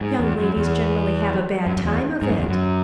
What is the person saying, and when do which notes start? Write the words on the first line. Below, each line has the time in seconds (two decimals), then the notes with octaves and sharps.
Young ladies generally have a bad time of it.
0.01 G#2
0.20 E2
0.38 F#2
0.57 E2
1.66 F#2
1.77 F#2
1.85 E2
2.22 G#2
2.31 F#2
2.39 E2
2.49 F#2